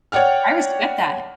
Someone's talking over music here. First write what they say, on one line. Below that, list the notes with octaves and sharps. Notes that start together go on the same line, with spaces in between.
I respect that.
C#5 D5 F#5 G5 F6